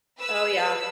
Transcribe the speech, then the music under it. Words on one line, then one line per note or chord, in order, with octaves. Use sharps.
Oh, yeah.
B4 E6